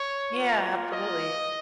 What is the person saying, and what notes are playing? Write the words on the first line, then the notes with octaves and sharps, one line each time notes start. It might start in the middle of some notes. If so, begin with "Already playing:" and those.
Yeah, absolutely.
Already playing: C#5
A#3 F4
D#5